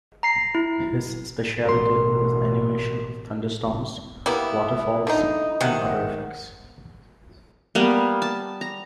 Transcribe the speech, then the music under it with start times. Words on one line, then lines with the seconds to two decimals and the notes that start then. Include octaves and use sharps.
His specialty was animation of thunderstorms, waterfalls and other effects.
0.23 A#5 C7
0.55 E4
1.65 A1 B2 A#4 C6
4.26 G3 A#3 B3 E4
5.07 D3 D#4
5.61 C3 D#3 F#5
7.75 G3 A#3 B3
8.22 A5
8.61 A#5